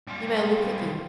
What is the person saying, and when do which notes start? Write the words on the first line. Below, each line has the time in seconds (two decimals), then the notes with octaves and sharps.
"You may look at them."
0.08 G3 F4